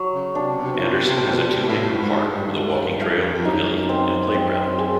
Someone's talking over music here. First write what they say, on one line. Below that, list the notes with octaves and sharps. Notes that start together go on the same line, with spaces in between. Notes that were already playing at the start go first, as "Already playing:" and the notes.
Anderson has a two-acre park with a walking trail, pavilion, and play ground.
Already playing: F#3
C#3
C3 D4
B2
C3
B2
C3 F4
B2
C3
B2
C3
B2
C3 F4
B2
C3
B2
C3
B2
A2 F5
G2
G#2
A4
G2
G#2 A4
F#2
G2
F5
F2
F2
F#2 D#4
C4
C4
G#4